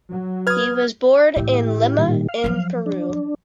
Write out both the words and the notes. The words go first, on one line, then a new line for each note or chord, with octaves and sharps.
He was born in Lima in Peru.
F#3
B4 D#6 F6 G#6
A2 E3 E4 G4
A#2 D#3 G3
F5
F3 F#3
D4